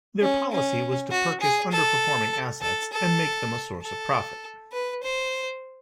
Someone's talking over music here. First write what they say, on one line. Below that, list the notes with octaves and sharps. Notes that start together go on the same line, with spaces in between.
Their policy was to purchase underperforming assets and make them a source of profit.
C#4
C#4
F#4
G#4
A4
A4
A4
A4
B4
C5